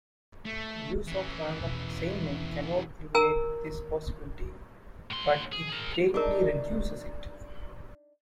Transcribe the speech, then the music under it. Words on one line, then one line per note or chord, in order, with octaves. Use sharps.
The use of random assignment cannot eliminate this possibility, but it greatly reduces it.
A3
E3 C#4
E2 B2
A#4 G#5 A#5 E6
A2 C6
G#4
G#4 A#4
D4 D#4 G#4 A#4